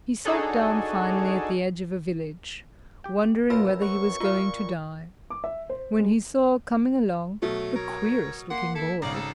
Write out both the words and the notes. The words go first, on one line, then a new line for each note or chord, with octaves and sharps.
He sat down finally at the edge of a village, wondering whether he was going to die, when he saw coming along the queerest-looking boy.
D4 D#4 F#4 G#4 A4 C#5
G4 G5
F#2 A#2 F4 B4 B5 E6
F#4 C#6
A#2 F4 F5 A#5
D6
E5
C5
G#3
B2 F#3 A3
A#4 C#5
A#3 F#5 C6
E4 A4
G#1 C#3 D5 A#5
A4